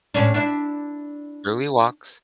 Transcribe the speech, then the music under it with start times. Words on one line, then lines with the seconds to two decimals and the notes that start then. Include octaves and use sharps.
Early walks.
0.14 A2 C#4 D4
0.34 D4 E4